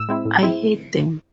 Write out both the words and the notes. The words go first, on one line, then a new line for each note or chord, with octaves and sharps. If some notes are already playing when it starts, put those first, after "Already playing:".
I hate them.
Already playing: A2 E6
G#3 C4 E4
A2
G#3 C4 E4